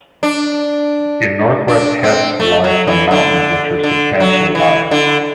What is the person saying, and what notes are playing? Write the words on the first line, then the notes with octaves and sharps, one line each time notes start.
In northwest Hesse lie some mountains which are substantially higher.
D4
D4
C4
A3
F#3
E3
D3
D3
F#3
E3
D3